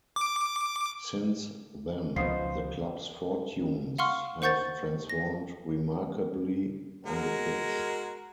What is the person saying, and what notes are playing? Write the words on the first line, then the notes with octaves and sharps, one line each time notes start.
Since then, the club's fortunes have transformed remarkably on the pitch.
D6
C#2 B2 F3 D#4 C5 F5 D#6 C7
F5 F#5 C6 C#6 F6
C5 F#5 C#6 G6 A6
A#6
G#3 F#4 A#4